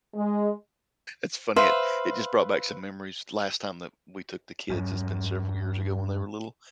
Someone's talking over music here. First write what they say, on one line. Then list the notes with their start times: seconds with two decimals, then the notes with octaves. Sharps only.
It's funny, it it just brought back some memories. Last time that we took the kids- it's been several years ago when they were little-
0.15 G#3
1.56 B4 C5 E5 F5
4.70 G2 F#3 C#4